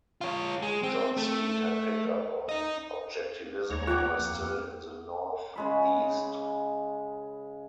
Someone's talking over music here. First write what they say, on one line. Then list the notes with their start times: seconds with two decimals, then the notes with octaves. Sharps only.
John Seed had picked up on Objectivism while still in the North-East.
0.21 F4 C#5
0.63 G#3
0.83 C4
1.17 A3
2.49 D#4 D#5
3.70 D#2 C#5 A#5
3.87 F4 F#5 G5 D6
4.19 F2 A#3
5.56 C#3 G#3 B5